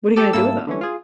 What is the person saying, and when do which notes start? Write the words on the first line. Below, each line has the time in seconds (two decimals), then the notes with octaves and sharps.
what are you gonna do with 'em?
0.16 G4 A4 D5
0.33 G#2 G3 A#3 E4 A4 E6
0.67 D3 E3 C#4
0.81 F4 G#4